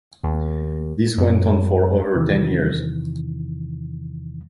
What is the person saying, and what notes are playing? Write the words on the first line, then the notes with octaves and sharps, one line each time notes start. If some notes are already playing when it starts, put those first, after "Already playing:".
This went on for over ten years.
D#2
F#2
E2 C3 D#3 E3